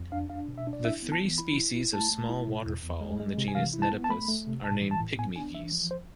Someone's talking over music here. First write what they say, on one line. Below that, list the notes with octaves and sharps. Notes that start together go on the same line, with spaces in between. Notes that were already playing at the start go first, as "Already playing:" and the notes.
The three species of small waterfowl in the genus "Nettapus" are named "pygmy geese".
Already playing: F2
D4 F5
D4 F5
B2
E5
D4
D5
E4 E5
B3
A5
E3
E4 B5
E4
E4
A3 A5
A3
E4
B2
E2
E2
G#3
G#3
C3
G#5
E3 F5
E4
A5
B3
A5
A3 B5
A3
C3
A2 A5
E3
A5
A2
B3 G#5
D4 G#5
E3 E5
F3
C5